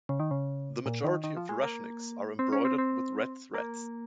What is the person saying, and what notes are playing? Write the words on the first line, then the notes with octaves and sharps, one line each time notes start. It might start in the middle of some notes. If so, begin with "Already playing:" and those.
The majority of rushnyks are embroidered with red threads.
C#3
D#3
C#3
A#2
D#3
D#3
F3
G#3
A#3
C4
C#4
C4
C4
A#3